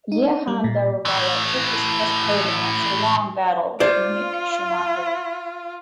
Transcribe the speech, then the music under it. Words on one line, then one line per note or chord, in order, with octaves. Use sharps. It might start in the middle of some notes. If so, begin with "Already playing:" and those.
Jehan Daruvala took his first podium after long battle with Mick Schumacher.
D#4
G3
A#2
A2 E3
F4 C5 D5